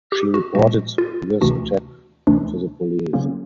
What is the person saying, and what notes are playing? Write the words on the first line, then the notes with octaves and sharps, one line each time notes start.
She reported this attack to the police.
G4
F#4
A#2 F3 G#3 F#4
F4
D2 C3 E3 A3 D4 F#4
D2 C3 E3 A3 D4
C#3 F#3 A#3 C#4 F4